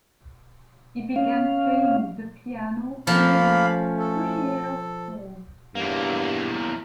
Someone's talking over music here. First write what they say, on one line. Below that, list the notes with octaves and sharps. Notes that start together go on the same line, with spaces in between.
He began playing the piano when he was three years old.
C#4 F5
F3 A3 A#3 C#4 F5 B5
A4
E2 G2 A#3